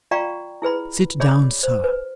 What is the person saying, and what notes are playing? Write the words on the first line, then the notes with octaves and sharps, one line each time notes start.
Sit down, Sir.'
F4 D5 F5 G5 A#5 C#6
E4 G#4 B4 B5
G#4 C#5 D5 B5 D6
C5
B4